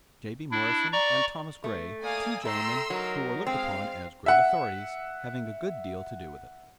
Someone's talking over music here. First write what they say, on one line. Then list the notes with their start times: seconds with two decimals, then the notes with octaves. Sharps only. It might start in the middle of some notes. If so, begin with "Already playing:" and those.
J. B. Morison and Thomson Gray, two gentlemen who were looked upon as great authorities, having a good deal to do with it.
0.51 D4 E4
0.93 D5 A#5 C#6
1.64 A3
2.03 A#3 D5 F5 G#5 D#6
2.45 A3 G5 A#5 C6 E6
2.90 F#3 D#4 A#4
3.47 G#3 C4 F5
4.26 E5 F#5